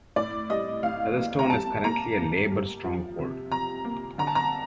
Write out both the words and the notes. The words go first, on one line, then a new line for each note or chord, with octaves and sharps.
Featherstone is currently a Labour stronghold.
A2 D5
G3 D#5
A2 F5
A#3
A#5
G3 A5
A#3 A#5
A#3
G3
F3
C3
C3 A#5
A#3
D3 A#5
A5
A#5